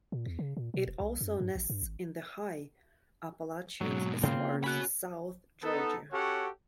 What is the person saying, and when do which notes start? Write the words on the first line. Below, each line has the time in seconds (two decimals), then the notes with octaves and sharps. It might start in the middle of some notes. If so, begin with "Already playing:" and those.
It also nests in the high Appalachians as far south as Georgia.
0.12 A#2
0.26 E2
0.39 C#3
0.57 A#2
0.74 B2
0.87 D#1
1.00 C2
1.21 F#2
1.40 G2
1.55 A1
1.70 G2
1.83 G#1
3.81 G#2 B2 F#3
4.23 C#3 A#3 C4 F4
4.64 C#4 F#4 B5 F#6
5.63 B3 D#4 A4
6.12 C#4 F#4 G4 A4 C#5 F#5